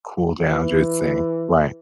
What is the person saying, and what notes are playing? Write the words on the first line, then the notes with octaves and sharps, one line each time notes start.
Cool down, just seeing Right.
E3